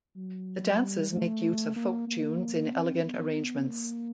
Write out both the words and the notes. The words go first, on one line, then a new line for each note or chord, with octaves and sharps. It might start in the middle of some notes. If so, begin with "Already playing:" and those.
The dances make use of folk tunes in elegant arrangements.
F#3
G3
A3
A#3
A#3
C4
B3
A#3